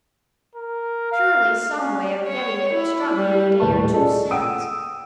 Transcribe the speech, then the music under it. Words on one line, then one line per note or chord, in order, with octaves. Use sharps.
Surely some way of getting it struck me a day or two since?
A#4
F5
C#4
C#5
E4
G3
D#1 A2 A3 B4 A5 C#6
C#4 F4 G#4 A4 D5 D#5
F#5 G5 D#6 E6 D7